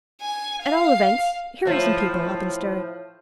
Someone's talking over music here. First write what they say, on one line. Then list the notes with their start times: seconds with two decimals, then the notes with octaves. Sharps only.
At all events here are some people up and stirring.
0.21 G#5
0.62 F5
1.65 A2 F3